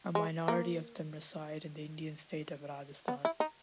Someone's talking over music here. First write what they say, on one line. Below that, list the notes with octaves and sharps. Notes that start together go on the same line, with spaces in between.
A minority of them reside in the Indian state of Rajasthan.
G#3
A#3
B3
E4
D#4